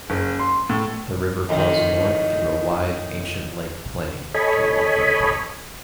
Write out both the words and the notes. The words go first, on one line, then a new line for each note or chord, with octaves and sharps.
The river flows north through a wide ancient lake plain to Lake Winnipeg.
F#1
C6
A2
F2 A2 D#3
A4 C#5 D#5 G#5 B5